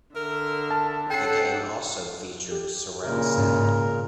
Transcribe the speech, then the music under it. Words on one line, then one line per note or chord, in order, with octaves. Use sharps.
The game also featured surround sound.
D3 A#4 E5
A5
C#4 A4 F#5 G5 C7
G4
A#2 C#3 A#4
G#2 B2 C#4
A#5